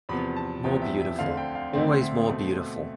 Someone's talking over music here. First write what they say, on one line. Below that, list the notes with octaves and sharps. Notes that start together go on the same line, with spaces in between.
More beautiful, always more beautiful!
E2 C3 F3 B3 B5
A5
E2 C3 F3 B3 G5
E5
E5
D2 D3 A3 C4 F5
G5
F5
D2 D3 A3 C4 E5
E5
B2 A3 C4